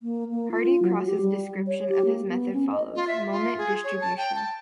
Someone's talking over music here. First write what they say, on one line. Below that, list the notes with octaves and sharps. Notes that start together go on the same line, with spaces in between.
Hardy Cross's description of his method follows: Moment Distribution.
A#3
A#3
F4
F#3
G4
G3
C#5
G4
A#3
B3
C#4
D#5
F4
E5
F4
G#4
C#5
A5
G5
A5